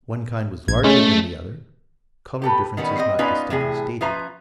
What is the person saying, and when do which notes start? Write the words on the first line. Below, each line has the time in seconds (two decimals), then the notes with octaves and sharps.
One kind was larger than the other: color-differences not distinctly stated.
0.68 A#1 G#6
0.84 G#3 A3 C#4
2.42 G4 A4 B4
2.77 D#3 G3 B3 C#4
2.98 C4 D#5
3.19 B3 C#4 D#4 F4 B4 D5
3.50 A2 C3 E3 G#4
4.01 F3 C#4 F4 B4 E5 A#5